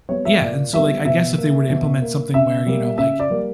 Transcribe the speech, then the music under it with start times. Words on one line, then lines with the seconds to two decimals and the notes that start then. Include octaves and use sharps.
Yeah, and so, like, I guess if they were to implement something where, you know, like,
0.09 G3 B3 C#5
0.25 E5
0.41 A#2 D5
0.73 G3 B3 E5
1.05 B2 E5
1.38 A#3
1.70 B2
2.02 A#3
2.34 C#3 E5
2.67 G3 A#3
2.98 C#3 E5
3.20 D5
3.30 G3 A#3